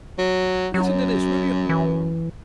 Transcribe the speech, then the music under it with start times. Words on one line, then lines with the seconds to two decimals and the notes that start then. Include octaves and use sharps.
Listen to this, will you?
0.19 F#3
0.74 F#2 F#3
1.69 E3